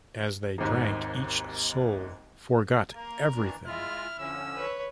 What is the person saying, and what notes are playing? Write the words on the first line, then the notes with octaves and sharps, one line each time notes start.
As they drank, each soul forgot everything.
G#1 D#2 G#2
A#3 A#4
D#3 E3 D4
G#3 E4 F4 F6
D3 F3 C#4 E6
B4 C#5